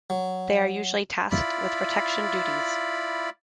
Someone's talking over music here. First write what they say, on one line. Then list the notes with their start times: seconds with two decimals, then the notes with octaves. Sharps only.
They are usually tasked with protection duties.
0.10 F#3
1.31 E4 F4 D5 B5